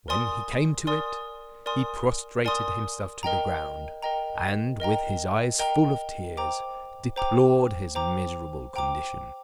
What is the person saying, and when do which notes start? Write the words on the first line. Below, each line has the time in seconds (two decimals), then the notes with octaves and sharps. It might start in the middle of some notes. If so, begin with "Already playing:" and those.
When he came to it, he prostrated himself to the ground, and, with his eyes full of tears, deplored his miserable condition.
0.08 A#4 D5 G#5 C6 D#6
0.87 A#4 D5 G#5 C6 D#6
1.66 A#4 D5 G#5 C6 D#6
2.45 A#4 D5 G#5 C6 D#6
3.23 A#4 D#5 G5 A#5
4.02 A#4 D#5 G5 A#5
4.80 A#4 D#5 G5 A#5
5.59 A#4 D#5 G5 A#5
6.37 C5 G5 A#5 D6
7.16 C5 G5 A#5 D6
7.95 C5 G5 A#5 D6
8.74 C5 G5 A#5 D6